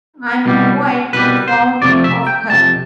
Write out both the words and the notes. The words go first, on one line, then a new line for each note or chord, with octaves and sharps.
I'm quite fond of her.
C2 B2 G3
C2 B2 G3 B4
C5
F2 C3 F3 A3 D5
E5
G5
F2 C3 A5